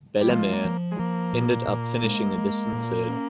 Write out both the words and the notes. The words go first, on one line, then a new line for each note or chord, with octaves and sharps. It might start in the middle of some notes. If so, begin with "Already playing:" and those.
Bellemare ended up finishing a distant third.
G3
F3 G#3
A#3
F3
G#3
F3 A#3
A#2
A#2
G#3
G#3
A#2
C#4